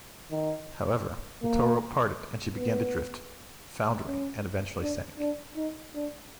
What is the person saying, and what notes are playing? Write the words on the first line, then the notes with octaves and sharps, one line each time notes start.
However, the tow rope parted and she began to drift, foundering, and eventually sank.
D#3
A#3
B3
C#4
D4
D4
D#4
D4